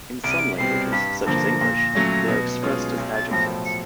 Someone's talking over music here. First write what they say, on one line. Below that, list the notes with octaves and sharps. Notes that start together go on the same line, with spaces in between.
In some languages, such as English, they are expressed as adjectives.
C2 D7
D#7
D7
B2 G3 C4 C7
G2 B6
D3 F3 A#3 A#6
A#2
F#3 A3 C#4
B2
G#3 C#4 F4 G#4
B1
A6
A2 F3 A#6
C#7